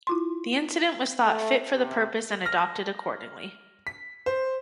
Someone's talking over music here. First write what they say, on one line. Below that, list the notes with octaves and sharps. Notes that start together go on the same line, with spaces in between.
The incident was thought fit for the purpose and adopted accordingly.
E4 F4 C6
A3
C3
F6 A#6
B6
C5